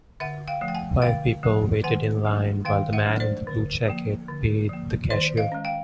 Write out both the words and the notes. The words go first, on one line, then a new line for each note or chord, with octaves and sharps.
Five people waited in line while the man in the blue jacket paid the cashier.
D3 E5 F#5
F5 G5
F3 A3
G5
F#5 G#5
D3 F5 G5
F3 A3
D#3 F#5 G#5
F#3 A3 D4
D#3 F5 G5
E5 F#5
F#3 A3 D4
C5 D5
D3
F3 A#3
D3
F3 A#3
D#3 C5 D5
D#5 F5
G#3 C#4
F5 G5